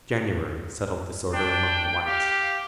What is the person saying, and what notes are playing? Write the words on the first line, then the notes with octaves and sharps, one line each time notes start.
January settled disorder among the whites.
D4 G5
G4 F5